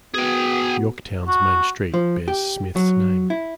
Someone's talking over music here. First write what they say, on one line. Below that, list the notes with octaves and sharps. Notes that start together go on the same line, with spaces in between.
Yorktown's main street bears Smith's name.
B3 F#4 G#4 G5
F#4
F3
G4
F#3
E4